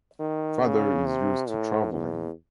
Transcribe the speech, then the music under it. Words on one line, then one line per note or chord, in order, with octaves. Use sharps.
Father is used to traveling.
D#3
C#3
C3
A2
E2